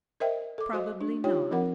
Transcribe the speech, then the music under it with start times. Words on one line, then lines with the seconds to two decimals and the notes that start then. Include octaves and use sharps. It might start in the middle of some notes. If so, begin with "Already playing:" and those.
Probably not.
0.20 A#4 C5 D#5 E5 G5
0.58 A4 D6
0.73 F#4 C5 D#5 F5
1.01 D4
1.24 D#4 F4 G4 C#5 G5
1.51 F3 C4 A#4 F#5